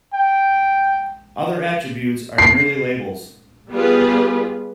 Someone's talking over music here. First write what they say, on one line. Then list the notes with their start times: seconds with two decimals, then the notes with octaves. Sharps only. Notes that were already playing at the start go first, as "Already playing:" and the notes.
Other attributes are merely labels.
0.14 G5
2.38 C7
3.71 G3 B3 F4 G4 G#4 B4